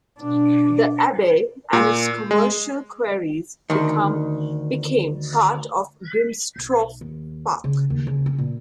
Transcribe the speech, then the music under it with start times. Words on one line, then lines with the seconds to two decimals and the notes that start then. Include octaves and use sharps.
The Abbey and its commercial quarries became part of Grimsthorpe Park.
0.20 B2 D4
1.73 A#2
2.31 G#3
3.70 D2 D#3
6.56 B1
7.01 D#2
7.64 C#3
7.90 D#2
8.07 C#3
8.26 C#4
8.38 A#2